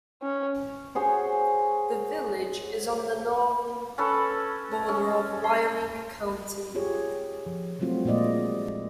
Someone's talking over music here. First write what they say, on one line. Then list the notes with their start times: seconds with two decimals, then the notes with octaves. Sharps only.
The village is on the northern border of Wyoming County.
0.22 C#4
0.95 F#4 G#4 C5 C#5
3.98 C#4 A4 B4
4.89 C#4
5.44 C6
6.75 F4 G4 G#4 C#5
7.46 F3
7.79 F#3 G3 A3 C4 F4 F#4
8.05 A#2 G#3 A#3 F4 D5 D#5